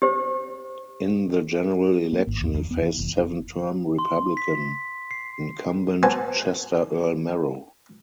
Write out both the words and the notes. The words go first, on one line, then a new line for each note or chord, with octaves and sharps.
In the general election, he faced seven-term Republican incumbent Chester Earl Merrow.
G4 C5
A#3
G#1
D#2
E2
B3
E3
F1
C6
B6
C7
B3 F#4 C5 G#5 A5